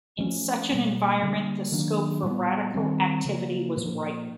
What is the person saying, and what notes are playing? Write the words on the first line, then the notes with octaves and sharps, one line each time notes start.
In such an environment the scope for radical activity was ripe.
F3 A3 C#4
B2 G3 A#3
D3 G3 A#3
D#3 F#3 A#3 D4
A#2 G3 B3
D#3 G3 C4
C#3 F3 A#3
A#2 F3 A#3